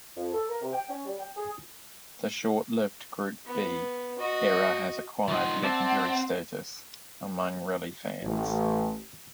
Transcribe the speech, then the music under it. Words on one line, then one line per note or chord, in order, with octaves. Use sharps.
The short-lived Group B era has acquired legendary status among rally fans.
F2
A4
A#4
C3
G5
C#4
G3
G5
G#4
B3
F#4 D#5
F3 D#4 F#5
C4 D5 E5 A5
A1